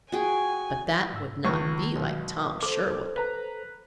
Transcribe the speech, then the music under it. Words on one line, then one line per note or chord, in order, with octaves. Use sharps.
But that would not be like Tom Sherwood!
F#4 G#4 G5 G#5
G#2 E6
C#2 D#3 G#3 C#6
B1
A4 C5 D6
B4 A#5